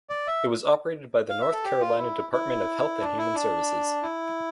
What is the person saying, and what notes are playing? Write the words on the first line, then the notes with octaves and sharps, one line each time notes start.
It was operated by the North Carolina Department of Health and Human Services.
D5
E5
F5
E5
A4
G4
F4
E4
E4
D4
E4
D4
E4